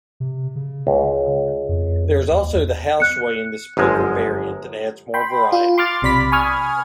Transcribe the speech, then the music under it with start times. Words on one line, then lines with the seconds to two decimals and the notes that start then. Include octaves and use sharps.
There is also the "House Way" in this poker variant that adds more variety.
0.20 C3
0.56 C#3
0.87 C#2
1.69 F2
2.30 D#2
2.55 E2
3.00 F#6 C#7
3.77 G1 F#2 F3 G#3
5.14 G5 B5 C6
5.52 F4
5.78 C6 D6 F6 A6
6.02 B1 C3 D5 B5 B6
6.32 G#5 B5 C#6 D#6 F6 G#6